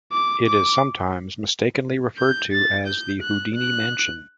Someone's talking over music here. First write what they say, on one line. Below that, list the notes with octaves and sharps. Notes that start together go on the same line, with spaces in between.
It is sometimes mistakenly referred to as the "Houdini Mansion".
D6
D6
G6
A6
G6
F#6
F#6